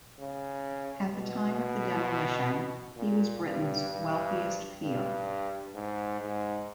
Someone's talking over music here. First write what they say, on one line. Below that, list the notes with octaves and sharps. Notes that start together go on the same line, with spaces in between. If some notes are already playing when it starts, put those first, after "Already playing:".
At the time of the demolition, he was Britain's wealthiest peer.
C#3
B2
A#2
G2
G2
G2
G#2
G#2